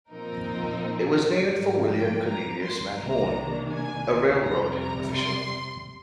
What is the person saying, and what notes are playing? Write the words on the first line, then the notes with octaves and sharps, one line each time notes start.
It was named for William Cornelius Van Horne, a railroad official.
A#2 F3 C4 D#4 A#4
G#2 F3 A#3 A#4
G5
A#5
C6
C2 C3 D#3 A#3 D4 A#5
G#5
F2 C3 G3 A#5
A#5
C6